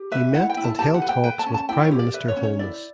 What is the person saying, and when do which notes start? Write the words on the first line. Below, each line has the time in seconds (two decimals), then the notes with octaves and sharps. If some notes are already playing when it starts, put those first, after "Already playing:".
He met and held talks with Prime Minister Holness.
Already playing: G4
0.12 B4 E5
0.34 E4 F#5
0.49 G5
0.57 E4
0.64 A5
0.78 G4 A5
0.94 F#5
1.02 B4
1.09 G5
1.24 B4 G5
1.39 A5
1.46 C#4
1.54 A5
1.69 E4 G5
1.84 C#5
1.91 G4
1.99 D5
2.14 B4 E5
2.28 C#5
2.36 C#4
2.43 C#5
2.59 E4 D5